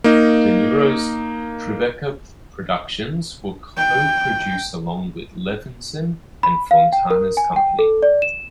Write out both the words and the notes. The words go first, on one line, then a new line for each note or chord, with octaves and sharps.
De Niro's Tribeca Productions will co-produce along with Levinson and Fontana's company.
A#3 D#4
G5
B5
F5
G5
A#4
G#5
G5
A4
D5
E7